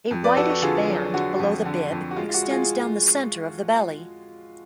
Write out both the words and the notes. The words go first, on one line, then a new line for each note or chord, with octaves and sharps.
A whitish band below the bib extends down the center of the belly.
F2
B4 D5
F2 F#4 A4
F#4
D3 F4 G#4
F#3
D3 F#4
F2
D3
F2
F#4
G#3 F4
F4
F#4
G#3
F4 G#4